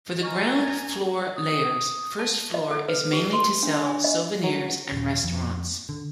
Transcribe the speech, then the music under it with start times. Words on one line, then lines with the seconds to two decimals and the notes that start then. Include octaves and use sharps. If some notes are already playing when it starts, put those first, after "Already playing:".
For the ground floor layers, first floor is mainly to sell souvenirs and restaurants.
0.21 D#5 G#5 A#5 C#6 F6
0.56 A#4 D5 A6
1.36 D#6
2.19 A5
2.54 D#5
2.71 A4
2.88 B4
3.13 G4
3.33 C6
3.63 D4
3.86 G#5
4.04 D#5
4.44 F#3
4.92 D#1
5.23 F2
5.89 D3